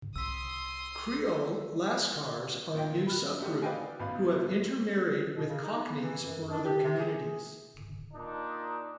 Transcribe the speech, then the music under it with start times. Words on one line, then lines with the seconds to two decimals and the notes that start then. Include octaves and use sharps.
Creole Lascars are a new subgroup, who have intermarried with Cocknies or other communities.
0.16 C2 C6 D#6 E6 B6
2.75 A#2 G5
3.07 B5 F6 F#6
3.40 A3 D#4 F#4 G4
3.62 B4 D5 D#5 F5 G5 G#5
3.77 F#4
4.00 A1 B2 B3 F5 B5
5.36 B2
5.49 C#3
5.64 D#4
5.78 B3
6.01 E3
6.25 F#2
6.50 D4
6.64 G4
6.84 C3
7.00 G#4
8.14 A#2 D4 D#4